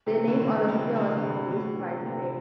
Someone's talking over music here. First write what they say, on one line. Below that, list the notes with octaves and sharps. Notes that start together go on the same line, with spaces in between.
The name "Olympia" was proposed by Stagg.
C3 E3
A2 D3
D3
C3 E3
D3 G3
A2 D3
D3
G2 C3
A2 D3
C3 E3
D3
C3 E3